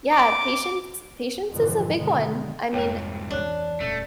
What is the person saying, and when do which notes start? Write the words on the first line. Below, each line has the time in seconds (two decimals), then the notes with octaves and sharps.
Yeah, patience patience is a big one. I mean,
0.13 D6
1.51 F2 G#2 B2 D3 E3 F3
1.97 F#2 B2 D3 D#3 G#3
2.73 C2 F2 G#2 C#5 G5
3.30 D1 E3 D4 C#5 F#6
3.80 D#1 A3